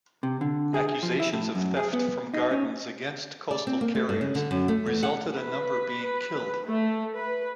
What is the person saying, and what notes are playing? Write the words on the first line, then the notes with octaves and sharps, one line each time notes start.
Accusations of theft from gardens against coastal carriers resulted a number being killed.
C3
D3
G#4
G#4
F3
E4
A2
F#2
G#4
B3
D#4
C#4
D5
C4
A#3
A3
G2
C#3
D3
F#2
A3
E2
F#5
B4
A3
B4